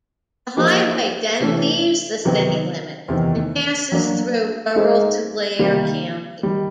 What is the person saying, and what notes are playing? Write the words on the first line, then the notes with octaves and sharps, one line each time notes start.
The highway then leaves the city limits and passes through rural Tulare County.
F3 A#3 D#4 G4 C5
C3 E3 A3
C3 D#3 F#3 B3
E2 C3 D#3
F#3 A#3 D4
G#3 C4 D#4 G#4
C3 D#3 G3 A#3
D#3 G3